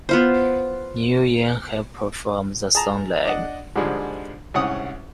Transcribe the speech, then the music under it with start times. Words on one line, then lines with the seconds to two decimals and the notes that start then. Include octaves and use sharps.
Neil Young has performed the song live.
0.09 B3 F4 C5
2.75 G#4 A5 A#5
3.25 D4 D#5 F#5
3.76 G#2 D3 F3 G3 G#3
4.54 C2 G#2 C#4 F#5 D#6